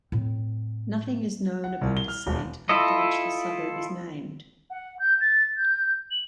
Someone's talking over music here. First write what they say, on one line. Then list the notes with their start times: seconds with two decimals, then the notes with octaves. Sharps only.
Nothing is known about the Saint after which the suburb is named.
0.12 A2 C4
1.64 F#5
1.81 C2
1.97 G7
2.08 F6
2.27 E1
2.69 E4 F4 A4 D#5
4.70 F#5
4.99 G6
5.20 A6
5.56 G6
6.10 F#7